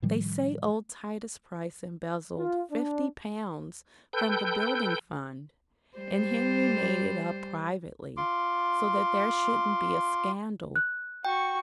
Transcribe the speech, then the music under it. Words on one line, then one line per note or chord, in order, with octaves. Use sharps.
'They say old Titus Price embezzled fifty pounds from the building fund, and Henry made it up, privately, so that there shouldn't be a scandal.
A2 D#3 F3 G3
F4
D4
A4 B4 G5 G6
G3 C5
F4 C6 D6
F#6
F#4 G5 C#6